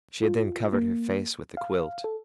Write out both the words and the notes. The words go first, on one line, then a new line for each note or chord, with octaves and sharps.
She had then covered her face with the quilt.
F4
A#3
F5
A4